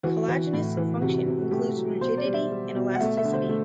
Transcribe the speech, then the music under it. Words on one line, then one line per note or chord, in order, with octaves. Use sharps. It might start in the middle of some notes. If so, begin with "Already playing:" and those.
Collagenous function includes rigidity and elasticity.
E3 F#4
E3
A2
E3
C3 F#4
C3
A3 G4
F#3
B2 C5
D5
G3
E5
G3
B2
F#5
A3 E5
E5
D3
C5
A3